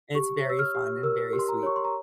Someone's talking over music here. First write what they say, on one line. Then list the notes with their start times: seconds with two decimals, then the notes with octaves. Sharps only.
It's very fun and very sweet.
0.15 G4 C#6
0.44 C#5
0.50 E6
0.59 F6
0.75 G4
1.03 A#4 E6
1.33 G4
1.39 C6
1.48 A#5
1.63 C#5 C#6
1.76 C6
1.84 A#5